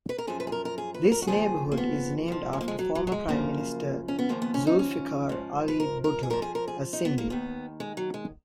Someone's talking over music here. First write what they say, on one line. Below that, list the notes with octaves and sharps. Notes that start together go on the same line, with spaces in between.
This neighbourhood is named after former Prime Minister Zulfikar Ali Bhutto, a Sindhi.
B4
A#4
F#2 F3 G#4
B4
G#4
A#4
A#4
G#4
B4
A#4
F#4
D#2 C#3 F3 G#4
A#3
B3
F2 F3
G#3
A#3
G#3
F#3
F#3
F#3
G#3
F#2 C#3 F3 A#3
C#4
B3
D#2 C#3 F3 A#3
B3
C#4
D#4
C#4
G#2 F3
B4
A#4
A#4
G#4
F2 F3 A#4
G#4
A#4
G#4
D#4
B3
A#3
D#2 D#3 B3
G#3
F#3
G#3